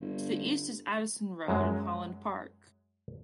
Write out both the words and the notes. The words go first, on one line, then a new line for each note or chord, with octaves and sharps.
To the east is Addison Road and Holland Park.
G1
F#2 F#3 G#3